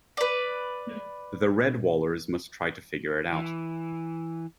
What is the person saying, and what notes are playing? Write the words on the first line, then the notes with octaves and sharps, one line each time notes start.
The Redwallers must try to figure it out...
B4 D5
E3